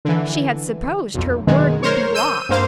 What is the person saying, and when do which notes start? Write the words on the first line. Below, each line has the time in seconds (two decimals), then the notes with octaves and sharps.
She had supposed her word would be law.
0.05 D3 E3
1.14 B1 F2
1.47 F#2 B2 D#3 G#3
1.83 A#4 C5 C#5
2.14 E6 G6 D#7
2.49 G2 A#3 C5 F5